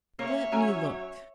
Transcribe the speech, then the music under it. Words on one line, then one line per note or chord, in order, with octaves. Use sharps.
"Let me look."
A#3 C#4 C#5 E5
F#3 C#4 G#5 A#5